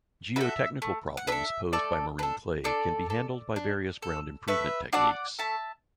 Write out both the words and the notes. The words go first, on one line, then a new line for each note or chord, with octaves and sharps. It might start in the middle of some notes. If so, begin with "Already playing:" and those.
Geotechnical problems posed by marine clay can be handled by various ground improvement techniques.
F#4 A4 B4 E5
A3
F#5
D4 A4 B4 E5
A3 A4 D5
D4 A4 B4
D4 A4 D5
A4
D4
A4
A3 B4 E5
D4 F#4 A4 D5 F#5
A3 E5 A5